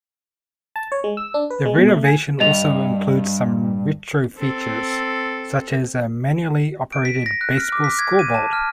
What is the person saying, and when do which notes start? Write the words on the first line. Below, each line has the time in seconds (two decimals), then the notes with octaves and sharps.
The renovation also includes some retro-features, such as a manually operated baseball scoreboard.
0.76 A5
0.92 C#5
1.04 G#3
1.17 E6
1.34 D4
1.51 B4
1.65 G#3
1.78 B2
1.89 A3
2.04 G#5
2.40 G2 D#5 F7
4.38 C4 A4
6.92 D7
7.05 B6
7.26 A#6
7.41 F#6
7.58 F6
7.72 D6
7.84 B6
7.99 G#6
8.19 D#7
8.34 A5
8.53 F6